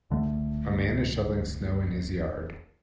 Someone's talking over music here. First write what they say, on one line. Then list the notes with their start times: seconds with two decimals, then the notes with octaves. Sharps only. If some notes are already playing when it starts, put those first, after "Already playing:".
A man is shoveling snow in his yard.
0.10 C#2 D3 E3 A3